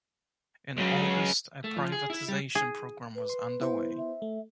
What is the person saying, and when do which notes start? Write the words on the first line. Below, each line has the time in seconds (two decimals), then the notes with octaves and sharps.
In August, a privatization program was underway.
0.77 C#2 C#3 F#3
1.64 A3
1.76 F3
1.92 G#4
2.10 E4
2.28 G3
2.55 G#4
3.15 B4
3.30 C6
3.60 B3 E4 C5
3.98 E5
4.22 A3